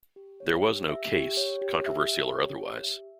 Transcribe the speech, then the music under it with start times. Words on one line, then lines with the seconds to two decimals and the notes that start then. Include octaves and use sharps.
There was no "case," controversial or otherwise.
0.16 G4
0.40 C#5
0.65 G4
0.89 E5
1.14 G4
1.37 C#5
1.62 G4
1.86 E5
2.11 G4
2.35 C#5
2.60 G4
2.84 E5